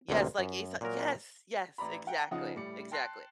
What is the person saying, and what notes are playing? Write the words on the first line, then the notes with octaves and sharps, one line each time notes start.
Yes, like, Aeso yes, yes, exactly, exactly,
A1 D2 C3 A#3
F#2
A#2 F#3 A#4
A1 D5 A#5 B5
F#5 G5 A#5
C#3 F3 D#4 F4 F#5 D#6
A2 G3 D5 C#7
G5 A5 C6 F#6 C7